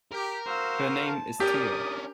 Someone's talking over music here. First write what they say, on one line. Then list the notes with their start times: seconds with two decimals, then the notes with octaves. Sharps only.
Her name is Teo.
0.12 G4 A#4
0.46 F#4 C5 F5 E6
1.07 A5
1.40 C#4 D4 G4 A#4 D5 D#6